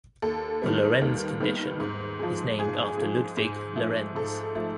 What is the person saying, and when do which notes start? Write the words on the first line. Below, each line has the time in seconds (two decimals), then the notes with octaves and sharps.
The Lorenz condition is named after Ludvig Lorenz.
0.22 D#2 A4
0.62 D#3 G3 B3
1.01 D#2
1.40 D#3 G3 B3
1.80 G#2
2.19 F3 G#3
2.59 G#2 G#4
2.97 F3 G#3
3.37 G#2
3.76 F3 A3
4.15 G#2 A4
4.55 F3 A3